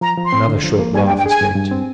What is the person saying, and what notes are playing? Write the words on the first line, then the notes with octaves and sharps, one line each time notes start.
Another short laugh escaped him.
F3 A#5
F3
C6
C4
D3
F3
A#3
G3 G#5
G5
D4
G5
G#4 G#5
G2
G2
C4